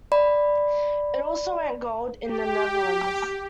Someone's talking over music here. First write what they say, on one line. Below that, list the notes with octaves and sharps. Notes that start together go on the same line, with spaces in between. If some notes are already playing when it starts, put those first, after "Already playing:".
It also went gold in The Netherlands.
D5 B5
G4